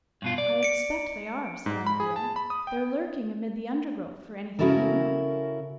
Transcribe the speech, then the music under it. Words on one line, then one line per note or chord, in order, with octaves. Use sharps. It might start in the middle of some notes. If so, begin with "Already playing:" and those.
'I expect they are,' said Anthea; 'they're lurking amid the undergrowth, for anything you know.
G2 B2 F4
D5
C#7 D7
G#2
B5
G#4
A5
B5
D#6
G5
C#3 C#4 E4 F#4 A4 A#4